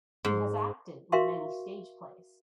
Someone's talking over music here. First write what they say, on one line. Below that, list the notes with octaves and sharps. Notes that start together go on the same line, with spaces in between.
He has acted in many stage plays.
G#2
F#4 A#4 E5 F5 C6 C#6